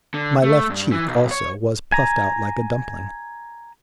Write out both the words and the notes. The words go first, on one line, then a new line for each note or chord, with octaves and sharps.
My left cheek, also, was puffed out like a dumpling.
D3
A3
G2
E3 E4
B1
C#5
G#5 A#5